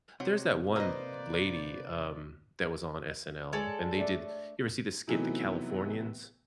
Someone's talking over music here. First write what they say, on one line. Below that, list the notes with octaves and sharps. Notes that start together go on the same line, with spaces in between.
there's that one l l lady, um, that was on SNL, and they did you ever see the skit, "The Californians?"
C3 F#3
A#3 B4 C5 D5 D#5 A#5
G#3 A4 C#5 D5
A3 D4
C3 D#3 E3 F#3 A3 B3